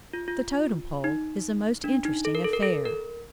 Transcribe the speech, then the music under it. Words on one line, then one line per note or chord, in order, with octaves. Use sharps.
The "totem pole" is a most interesting affair.
F4
F4
D#4
D4
D#4
A4
A#4
A4
A#4
A4
A#4